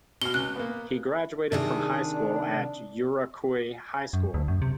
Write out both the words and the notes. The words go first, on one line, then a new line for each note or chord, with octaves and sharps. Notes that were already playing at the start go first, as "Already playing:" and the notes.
He graduated from high school at Yuraikuei High School.
B2 F6 G7
C#2 F#6
A#3 B3
C3 D#3 D4 G#4
F#2
D2
F#2
C3